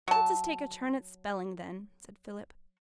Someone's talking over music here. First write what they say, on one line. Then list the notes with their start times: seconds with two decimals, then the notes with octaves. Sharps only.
'Let us take a turn at spelling, then,' said Philip.
0.08 F#3 A5